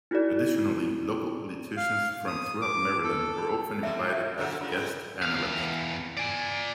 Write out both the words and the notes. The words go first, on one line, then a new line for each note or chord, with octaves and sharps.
Additionally, local politicians from throughout Maryland were often invited as guest panelists.
D#4 E4 F#4 A4 D5
F5
D#6
D6
A4
A2 C3 E5
E5
A#2 D3 F#3
C#3 F4 B5
G#3 C4
E2 F5
D5 G#5